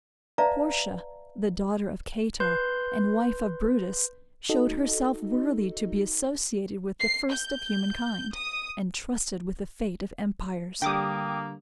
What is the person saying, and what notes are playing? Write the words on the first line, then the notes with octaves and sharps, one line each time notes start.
Portia, the daughter of Cato, and wife of Brutus, showed herself worthy to be associated with the first of human kind, and trusted with the fate of empires.
B4 D5 E5 F5 A5 A#5
B4 C6 G6
D#4 F#4 A4 D#5
C7
G6
D#6
D3 G3 A#3 G5 D6 D#6